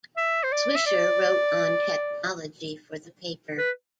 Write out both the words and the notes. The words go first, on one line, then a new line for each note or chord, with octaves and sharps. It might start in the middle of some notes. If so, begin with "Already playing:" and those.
Swisher wrote on technology for the paper.
E5
C5
D5
E5
D5
B4